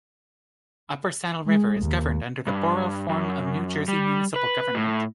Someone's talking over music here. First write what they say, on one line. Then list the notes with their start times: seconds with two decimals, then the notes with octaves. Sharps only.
Upper Saddle River is governed under the Borough form of New Jersey municipal government.
1.46 G#3
1.81 D#2
2.47 G2
3.09 F#2
3.88 G3
4.36 B4
4.75 A2